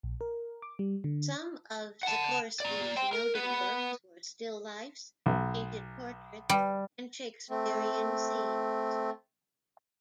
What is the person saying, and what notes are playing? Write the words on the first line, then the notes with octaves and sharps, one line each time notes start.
Some of Czachorski's noted works were: still lifes, painted portraits, and Shakespearean scenes.
A#1
A#4
D6
G3
D3
F#5 A5
D5 A#5
G5 C6
A#4
B3 B4
B1
G3
A3 C4